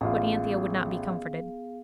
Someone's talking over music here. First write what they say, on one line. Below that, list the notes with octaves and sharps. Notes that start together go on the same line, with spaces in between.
But Anthea would not be comforted.
A1 B3 F4 G#4 F5